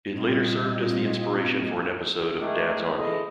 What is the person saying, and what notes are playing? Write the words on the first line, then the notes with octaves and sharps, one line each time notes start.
It later served as the inspiration for an episode of Dad's Army.
A#2 G3 C4 F4 D#5 G#6
D#3 G#3 A3 D4 G#4
E3 G#4 A4 D#5